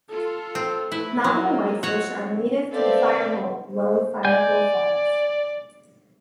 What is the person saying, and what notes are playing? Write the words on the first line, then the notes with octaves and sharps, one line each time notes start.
Mountain whitefish are native to the Firehole below Firehole Falls.
F4 A4
C4
A3 E4 B4
F#3 A#3 F4
C4 F#4 C#5
C4 A4 B4 D5 E5 F5
C5
D5 G#5 G6